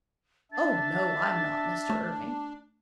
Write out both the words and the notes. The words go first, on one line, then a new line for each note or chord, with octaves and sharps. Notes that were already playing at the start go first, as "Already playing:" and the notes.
Oh, no, I'm not, Mr. Irving.
D4 E5 A6
A3